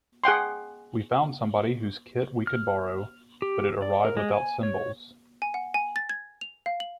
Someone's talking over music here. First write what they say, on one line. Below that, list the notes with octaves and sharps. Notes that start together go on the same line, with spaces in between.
We found somebody whose kit we could borrow, but it arrived without cymbals.
G#4 F#5 G5 C6
F6
G4
D5
A#4
G#3
G#5
C#5
G#5
F#5
G#5
A6
G#6
F7
F5
F#7